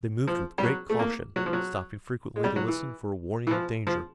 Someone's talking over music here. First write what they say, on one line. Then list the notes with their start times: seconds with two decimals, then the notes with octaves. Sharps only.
They moved with great caution, stopping frequently to listen for a warning of danger.
0.28 F3
0.58 G3
0.63 F#3
0.90 A3
0.99 A#3
1.36 F#3
1.46 F3
1.53 F#3
2.36 G#3
2.44 G3
2.56 F#3
2.68 E3
3.47 E3
3.51 F3
3.87 F3